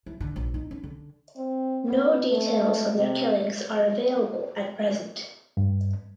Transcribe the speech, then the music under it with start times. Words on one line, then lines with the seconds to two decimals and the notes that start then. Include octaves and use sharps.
No details on their killings are available at present.
0.06 E3
0.20 D3
0.36 A#1
0.54 D#4
0.71 C#4
0.84 D3
1.37 C4
1.88 B3
2.31 A3
2.97 C3
5.57 G2